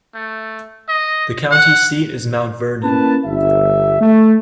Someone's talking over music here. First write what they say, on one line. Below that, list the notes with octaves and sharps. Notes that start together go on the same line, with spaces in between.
The county seat is Mount Vernon.
A3
D#5
F#5
A#3 C#4 E4 B4 A5
G1 E5
A3